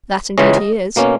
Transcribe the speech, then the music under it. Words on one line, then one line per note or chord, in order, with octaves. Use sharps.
"That indeed he is."
C#2 C#3 E3 G#3 C#4 D#5
B2 A#3 C#4